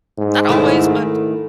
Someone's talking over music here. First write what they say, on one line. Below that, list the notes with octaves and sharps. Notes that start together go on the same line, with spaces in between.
not always, but
G#2
D#3 A3 E4